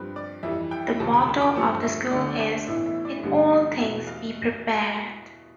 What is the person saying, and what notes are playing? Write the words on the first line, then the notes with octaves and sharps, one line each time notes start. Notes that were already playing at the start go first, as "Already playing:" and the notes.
The motto of the school is "in all things be prepared".
Already playing: G2 F3 C4 B4
D5
F2 E3 G3 E5
G5
B5
E1 D2 C3 F3 A5
B5
C6
D6
G2 F3 A3 C4 A5
E5
D2 D3 A3 D5
C5
D5
D5
A1 A2 E3 B3 E5
E5
D5
A1 G2 D3 G3 B3
E2 B2 B3 E5
F5